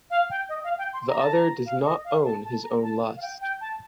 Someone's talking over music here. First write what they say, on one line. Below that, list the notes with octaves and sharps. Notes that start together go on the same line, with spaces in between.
The other does not own his own lust.
F5
G5
D#5
F5
G5
C6
A#5
A5
A#5
F5
D#5
F5
A5
A5
A#5
A5
F5
G5
G5
A5